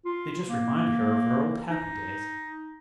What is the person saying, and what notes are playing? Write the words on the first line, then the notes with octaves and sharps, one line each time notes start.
They just reminded her of her old happy days.
F4
A#3
D#4